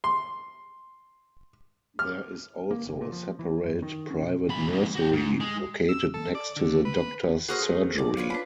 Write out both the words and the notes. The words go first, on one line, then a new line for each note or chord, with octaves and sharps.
There is also a separate private nursery located next to the Doctor's Surgery.
C6
F6
A#3
F#1
A#2
F3
E3
F#2
D#3
C#4
B2
A#2 B5
F2 G#2
F#4 G5
G#2
G#3
E6
A4
D5
D3
B4
F#4 G#4 A#4 C5 D#6 F6
A3
D5
F4 B4 C#5
D4 B5